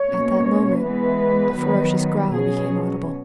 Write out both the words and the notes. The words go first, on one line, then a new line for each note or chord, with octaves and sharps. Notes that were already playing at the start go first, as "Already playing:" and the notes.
At that moment, a ferocious growl became audible.
Already playing: C#5
B2 A#3 C#4
E3 G#3 B3 B4
D#3 F#3 B3
B2 F#3 C#4 G#4